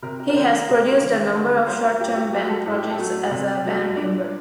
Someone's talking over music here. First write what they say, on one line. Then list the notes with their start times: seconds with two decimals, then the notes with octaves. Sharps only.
He has produced a number of short-term band projects as a band member.
0.03 C3 A#4
0.19 A#4
0.30 A#4
0.36 D#3 A3 C5
0.47 A#4
0.53 A4
0.69 C3 G4
0.91 G4
1.01 D#3 G3 A#3
1.13 G4
1.35 D3 A4
1.51 A#4
1.67 G3 A#3 C5
1.84 A#4
2.00 A#2 G4
2.17 G4
2.33 F#3 A3 G4
2.49 A4
2.66 A2 A4
2.78 G4
2.91 A4
2.99 F#3 A3
3.31 C3
3.65 F#3 A3
3.97 A#2 D4